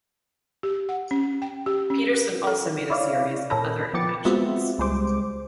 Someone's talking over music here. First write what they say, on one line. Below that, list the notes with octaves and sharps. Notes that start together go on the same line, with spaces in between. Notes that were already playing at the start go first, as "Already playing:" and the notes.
Petersson also made a series of other inventions.
G4
F#5
C#4
G5
G4
C#4
A#4
A4
E4 C#5 D5 F5
A#2 C#4 A4 A#4 B5 A#6
F3 B3 G5 D6 A6 C#7
G#3 B3 C4 F4 F#4 E5
C#2 G3 G#3 C5 D6